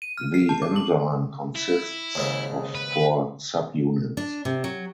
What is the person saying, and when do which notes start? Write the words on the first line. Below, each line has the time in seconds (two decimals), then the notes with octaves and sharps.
The enzyme consists of four subunits.
0.02 D#7
0.17 F6
0.34 C7
0.49 A5
0.62 D6
0.76 F#7
1.55 E4
2.15 D#2 G#2 C#3
2.75 B4
4.17 D4
4.45 C3
4.64 F#3